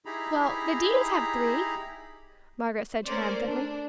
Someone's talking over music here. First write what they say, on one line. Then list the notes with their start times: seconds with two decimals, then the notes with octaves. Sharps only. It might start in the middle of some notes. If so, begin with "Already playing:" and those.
"Well, the Deanes have three!" Margaret said triumphantly.
0.05 D#4 E4 G4 G#4 A#5 B5
3.04 A3 C#4 A#4 C5 D5
3.43 D4